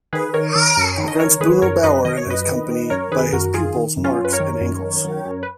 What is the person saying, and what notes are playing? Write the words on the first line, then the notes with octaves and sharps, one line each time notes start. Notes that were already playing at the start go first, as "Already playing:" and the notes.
Against Bruno Bauer and Company by his pupils, Marx and Engels.
D#3 G#4 B4
D#3 A#4 C#5
D#3
F#2
D#3
D#5
D#3 A#4 C#5
D#3 G#4 B4
F#2 A#4 C#5
F#2 B4 D#5
D#3 D#5
C#5
F#2 B4 D#5
D#3
D#3
F#2 A#4 C#5
D#3 G#4 B4
F#2 F#4 A#4
D#3 F4 G#4
D#3
F#2
C#4 F4
F#2
B4
A#4 C#5
D#3
F#2
D#3
F#2
F#2
B4